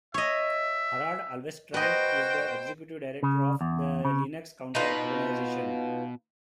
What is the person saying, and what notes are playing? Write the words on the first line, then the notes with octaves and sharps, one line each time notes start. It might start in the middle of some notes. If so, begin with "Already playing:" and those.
Harald Alvestrand is the Executive Director of the "Linux Counter Organization".
C#5 D#5 E5
F#4 B4 C5 D#5 G5
C#3
E2
C#3
B2 D#4 F4 B4